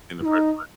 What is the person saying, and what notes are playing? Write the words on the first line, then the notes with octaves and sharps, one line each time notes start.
In the first
E4
D#4